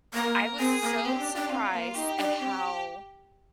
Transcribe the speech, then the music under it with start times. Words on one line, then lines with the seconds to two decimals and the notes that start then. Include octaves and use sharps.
I was so surprised at how
0.14 A#3 A#4
0.59 C4 G#4
0.82 A#3
1.04 C4 G4
1.19 D4
1.35 D4
1.49 C4 F4
1.73 A#3
1.95 D#4 G4
2.18 D4
2.40 C4